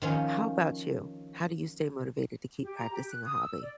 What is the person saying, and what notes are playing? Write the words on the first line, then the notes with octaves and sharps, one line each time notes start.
How about you, how do you stay motivated to keep practicing a hobby?
D#3 F3 C#4
G4
A#5
G4
F#6
D#6
E6
D5